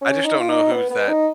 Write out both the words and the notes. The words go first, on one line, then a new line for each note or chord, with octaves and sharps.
I just don't know who's that,
C#4
D#4
F4
D#4
B3
B3
D#4